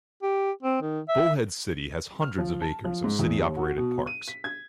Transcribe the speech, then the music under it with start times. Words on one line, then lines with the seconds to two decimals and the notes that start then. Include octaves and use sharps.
Bullhead City has hundreds of acres of city-operated parks.
0.23 G4
0.63 C4
0.81 D#3
1.08 E5
2.22 F6
2.38 F3
2.61 A5
2.84 F3
3.04 G#2
3.19 E2
3.39 D#2
3.57 F#4
3.78 B2
4.07 D#7
4.28 B6
4.44 G#6